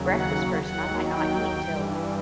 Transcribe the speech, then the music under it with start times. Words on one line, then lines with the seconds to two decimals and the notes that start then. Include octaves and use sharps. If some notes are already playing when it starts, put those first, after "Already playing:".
breakfast person; I might not eat till,
Already playing: D#2 C#3 F#3
0.13 F#5
0.61 D#2 D#3 F#3 F#5
1.10 G5
1.59 G2 E3 G3